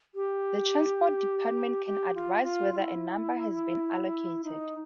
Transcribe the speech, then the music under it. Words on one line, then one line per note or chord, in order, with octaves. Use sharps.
The Transport Department can advise whether a number has been allocated.
G4
G4
F4
F4
F4
E4
D#4